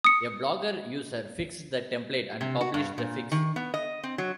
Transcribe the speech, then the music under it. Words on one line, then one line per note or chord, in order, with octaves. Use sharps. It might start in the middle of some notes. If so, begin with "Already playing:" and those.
A blogger user fixed the template and published the fix.
D#6 C#7
C3
F#4
G2
A#2
D#3
B3
D#5
C4
F#3